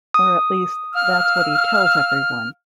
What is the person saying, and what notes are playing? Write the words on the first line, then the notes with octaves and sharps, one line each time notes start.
Or, at least, that's what he tells everyone.
D#6
F5 E6 F6